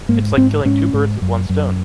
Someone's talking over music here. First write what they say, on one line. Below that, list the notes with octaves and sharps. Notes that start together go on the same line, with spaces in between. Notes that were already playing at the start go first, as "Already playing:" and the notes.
It’s like killing two birds with one stone.
G#2 A#3
G#2 C4
G#2 C#4
G#2
F#2
F#2